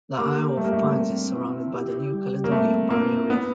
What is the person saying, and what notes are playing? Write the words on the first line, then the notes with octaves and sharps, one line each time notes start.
The Isle of Pines is surrounded by the New Caledonia Barrier Reef.
A#3 G4
G3 A3
A#3
A3
C4
E4
G4
G3
A#3
A3 C4
A#3 E4
B3 B4